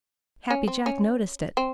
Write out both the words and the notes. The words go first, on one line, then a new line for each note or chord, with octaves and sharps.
Happy Jack noticed it.
C#4
C4
C#4
C4